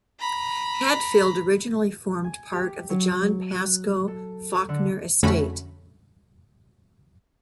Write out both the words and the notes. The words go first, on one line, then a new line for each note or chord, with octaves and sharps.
Hadfield originally formed part of the John Pascoe Fawkner estate.
A#5 B5
G#5
G4
F#3
F#6
A4
D3
F2 D3 A3 C#4 F#4 B5